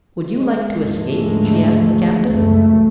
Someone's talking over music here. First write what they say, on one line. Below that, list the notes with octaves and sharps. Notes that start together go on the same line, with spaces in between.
"Would you like to escape?" she asked the captive.
G#3
D#2 G#2 D3 F3 G#3 A3
C#2 F#2 E3 A3